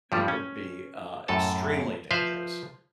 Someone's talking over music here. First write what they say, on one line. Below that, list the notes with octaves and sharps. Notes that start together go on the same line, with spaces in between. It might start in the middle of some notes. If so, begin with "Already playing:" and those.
who can be, uh, extremely dangerous,
G2 F3 G3
C#4
F#2 A2 A4 A5
F3 B4 C5 E5 F5